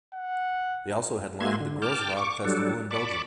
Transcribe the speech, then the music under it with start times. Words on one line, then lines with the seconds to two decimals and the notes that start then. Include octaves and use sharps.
They also headlined the Groezrock festival in Belgium.
0.13 F#5
1.40 G#3 A#3 F#4 E5 C6 G#6
1.60 D3
1.82 G5 A5 D6 F6
2.17 C#6 D6
2.45 F#3 G3 D4 A4
2.91 D5 A5 B5 C#6 D6